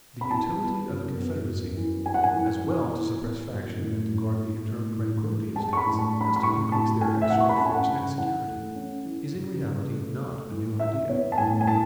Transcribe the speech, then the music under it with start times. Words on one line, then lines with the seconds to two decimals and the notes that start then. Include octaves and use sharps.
The utility of a Confederacy, as well to suppress faction and to guard the internal tranquillity of States, as to increase their external force and security, is in reality not a new idea.
0.21 B5
0.31 E3 A5
0.59 B3
0.89 F#2
1.18 B3
1.48 F#2
1.77 E3
2.06 F#2 G#5
2.14 F#5
2.24 G#5
2.35 E3
2.64 E3
2.93 E4
3.22 B3
3.51 F#2
3.80 A2
4.10 A2
4.39 A2
4.68 A2
4.97 A2
5.26 G#3
5.55 G#3 A5
5.73 C#6
5.77 B5
5.85 A2
5.99 A5
6.14 D4
6.21 B5
6.36 B5
6.42 A2 C#6
6.72 A2 A5
7.00 A2 G#5
7.22 E5
7.30 E3 F#5
7.40 C#6
7.49 B5
7.57 C#4 A5
7.66 G#5
7.74 F#5
7.88 C#3
8.18 E3 F#5
8.47 A3
8.75 C#4
9.05 E3
9.35 C#3
9.63 C#3
9.93 A3
10.21 A3
10.51 E3
10.80 E3 E5
11.09 B3 C#5
11.32 A5
11.38 A2 G#5
11.61 G#5
11.67 A2 A5